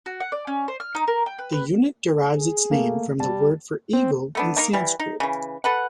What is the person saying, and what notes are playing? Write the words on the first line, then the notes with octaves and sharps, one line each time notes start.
The unit derives its name from the word for eagle in Sanskrit.
F#4
F#5
D5
C#4
C5
F6
D#4
A#4
G5
B4
B4
G#4
A3 A#3
G3 A5
C4
A3 B3 D4
A3 A#3 D#4 A#4
E3 G3
D#4
C#3 E3
A4 B4 F#5